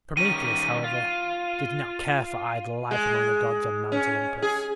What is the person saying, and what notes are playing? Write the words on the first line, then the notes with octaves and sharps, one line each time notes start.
Prometheus, however, did not care for idle life among the gods on Mount Olympus.
D#3 G3 C#4 D#7
F4
G#3
C#4
G#4